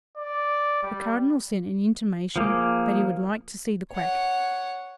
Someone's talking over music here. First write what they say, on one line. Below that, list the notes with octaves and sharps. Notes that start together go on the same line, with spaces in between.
The Cardinal sent an intimation that he would like to see the quack.
D5
G3
F3 A#3 G#4 D6
C#5 F#5